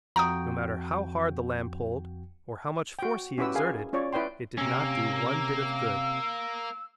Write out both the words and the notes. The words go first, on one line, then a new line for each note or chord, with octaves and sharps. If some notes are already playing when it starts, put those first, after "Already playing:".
No matter how hard the lamb pulled or how much force he exerted it did not do one bit of good.
F2 F#4 G5 A#5 D#6
F#4 G5
C#4 E4 F#4 G4 B4 E6
G#4 A#4 F5 G#5
C#4 F4 C#5 D5
E4 B4 D5 G5 C6
C3 A#3 C#4 E6